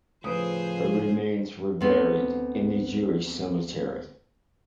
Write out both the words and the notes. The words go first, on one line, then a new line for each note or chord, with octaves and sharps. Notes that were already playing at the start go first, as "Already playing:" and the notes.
Her remains were buried in the Jewish cemetery.
A2 C#3 F3 A3 G#4 B4 C5 D#6
D2 B3 C4